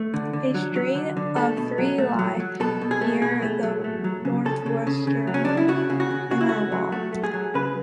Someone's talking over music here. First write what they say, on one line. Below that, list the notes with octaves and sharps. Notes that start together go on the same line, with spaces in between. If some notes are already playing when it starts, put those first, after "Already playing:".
A string of three lie near the northwestern inner wall.
Already playing: A3
D3
D3
F#3
F#3
D3
D3
A3 A4
B2
F#3
A3
F#3
F#3
B2 A4
B2
G#4
A3
B2 G#4
A3
F#3
A3
F#3
C#3
C#3 A4
C#3
C#3
C#3
F#3
C#4
C#3 D4
E4
C#3 F#4
C#3
F#4
C#3
C#3 F#4
E4
A3 F#4
F#3
A3 F#4
A3
G#4
F#3
C#3 B4